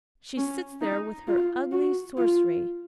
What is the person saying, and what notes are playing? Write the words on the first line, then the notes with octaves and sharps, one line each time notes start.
She sits there with her ugly sorcery.
C#4
D#4
F4
F#4
F4